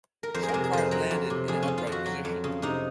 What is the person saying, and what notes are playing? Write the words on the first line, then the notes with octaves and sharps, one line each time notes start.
Some cars landed in an upright position.
A#4
F2 C5
G#4
A#4
C3
G#4
F2 C5
F#3 A#4
F2
C3
F2 G#4
C#4
C#3
F4
F2
F#4
F#3
F2
C#3
C3 D#4